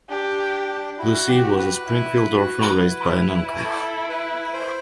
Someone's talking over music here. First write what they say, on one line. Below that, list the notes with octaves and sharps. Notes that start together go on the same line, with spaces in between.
Lucy was a Springfield orphan raised by an uncle.
D4 G4
E4 F#4
G4
B4
E4
F#4
E4
A4
B4
C5